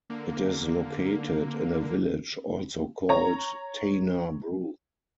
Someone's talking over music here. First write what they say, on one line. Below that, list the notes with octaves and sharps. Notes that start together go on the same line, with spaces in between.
It is located in a village also called "Tana bru".
D3 A#3
C#5 A#5